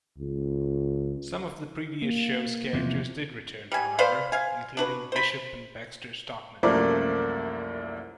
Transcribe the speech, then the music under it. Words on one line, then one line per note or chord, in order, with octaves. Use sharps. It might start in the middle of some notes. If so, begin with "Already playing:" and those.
Some of the previous shows characters did return, however, including Bishop and Baxter Stockman.
C#2
A#3
E2 C3 F3
G3 G#5
B4 C5 D5 F5
F5 G#5
D4 F#4 B4
C5 B5
C2 F#2 F3 A3 A#3 D5